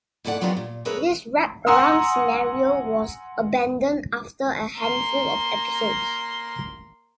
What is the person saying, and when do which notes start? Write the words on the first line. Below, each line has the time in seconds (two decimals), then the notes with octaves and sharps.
This wraparound scenario was abandoned after a handful of episodes.
0.25 G#2 E4 A4 D5 F#5
0.41 D#3 F#3 B3 D4 F4 G4
0.57 A#2
0.85 D4 G#4 A#4 B4 C#5 E5
1.67 F#5 G#5 A#5 C6 D#6 E6
4.77 A#3 C6